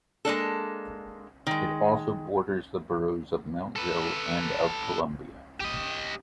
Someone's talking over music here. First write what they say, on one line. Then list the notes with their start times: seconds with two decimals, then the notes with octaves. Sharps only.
It also borders the Boroughs of Mountville and of Columbia.
0.25 G#3 A#3 D4 A4
1.47 D#3 G#3
3.76 A4 B4
5.60 G4 D#5